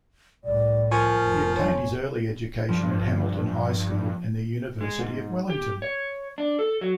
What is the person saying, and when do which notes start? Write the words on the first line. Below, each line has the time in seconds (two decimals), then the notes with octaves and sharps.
He obtained his early education at Hamilton High School and the University of Wellington.
0.44 C2 A2 D5
0.91 F3 A#4 G#5 C#6
1.21 F1
1.57 C#5
2.69 G2 F3
4.81 G#3
4.99 G#2
5.50 G4
5.82 C#5
6.38 D4
6.59 A4
6.81 F#3